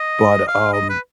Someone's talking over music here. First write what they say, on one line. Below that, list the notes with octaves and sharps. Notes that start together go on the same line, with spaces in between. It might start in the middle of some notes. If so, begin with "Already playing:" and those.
but, um,
Already playing: D#5
F5
D#5
B4